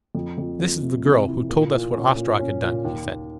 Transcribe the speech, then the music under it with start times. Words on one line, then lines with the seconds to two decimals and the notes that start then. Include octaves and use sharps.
"This is the girl who told us what Ostrog had done," he said.
0.15 F2
0.38 F2
0.60 F2
0.83 C3
1.05 C3
1.27 E3
1.49 A#2
1.72 A#2
1.94 C#4
2.16 A#2
2.39 C#4
2.62 A#2
2.84 D#2
3.06 D#2